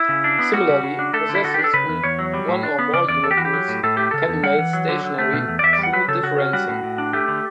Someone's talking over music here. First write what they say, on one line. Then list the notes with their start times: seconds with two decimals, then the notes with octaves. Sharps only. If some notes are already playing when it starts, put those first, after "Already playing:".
Similarly, processes with one or more unit roots can be made stationary through differencing.
Already playing: E4
0.09 C#3
0.24 D4
0.39 B3
0.53 G3 F#4
0.69 C#3
0.84 C#3
0.99 D4
1.13 A3 A4
1.29 D3
1.35 E4
1.44 D3 F#4
1.54 G4
1.59 D4
1.64 A4
1.74 C#3 B4
1.88 E2
2.04 E2 C#5
2.19 F#3
2.34 G3
2.48 A2
2.63 D4
2.79 B3
2.93 C#3 D5
3.09 E2 D5
3.23 E2 A4
3.31 G4
3.37 E3 F#4
3.45 G4
3.53 F#3
3.68 A2
3.83 A2 A4
3.97 A3 G4
4.11 C#3 A4
4.28 E2
4.43 G3 F#5
4.59 E3
4.73 F#3
4.88 D3
5.03 D3
5.18 A3
5.33 B2
5.48 E2
5.59 D5
5.63 E2 E5
5.73 D5
5.78 G3
5.83 F#5
5.93 F#3 B4
6.08 C#3 A4
6.23 C#3 F#4
6.38 C#4
6.53 G3 F#4
6.68 A2
6.83 A2
6.98 D4
7.13 A3 G4
7.28 D3